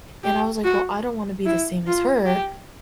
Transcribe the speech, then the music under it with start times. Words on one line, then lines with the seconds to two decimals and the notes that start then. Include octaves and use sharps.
and I was like, "Well, I don't wanna be the same as her,
0.24 G4
0.64 F#4
1.46 E4
1.86 F4
2.26 G4